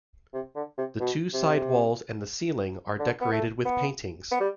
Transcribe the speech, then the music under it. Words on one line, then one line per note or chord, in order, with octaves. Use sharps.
The two side walls and the ceiling are decorated with paintings.
C3
D3
C3
B2
C3
D3
B3
A3
B3
B3
G3